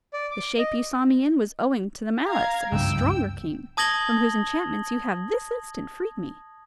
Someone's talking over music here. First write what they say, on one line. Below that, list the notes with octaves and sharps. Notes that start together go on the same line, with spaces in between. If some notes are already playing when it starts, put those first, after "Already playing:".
The shape you saw me in was owing to the malice of a stronger king, from whose enchantments you have this instant freed me.
D5
D6
D#5
F5 A#5 G#6
F#1 C#2 G2 G5 E6
A5 D#6 G#6 A#6 F#7 G7